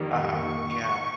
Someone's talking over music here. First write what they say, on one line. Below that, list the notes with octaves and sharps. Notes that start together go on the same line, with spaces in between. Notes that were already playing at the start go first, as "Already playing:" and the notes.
Uh-huh, yeah.
Already playing: F2 D#3 G3 A#3
C#6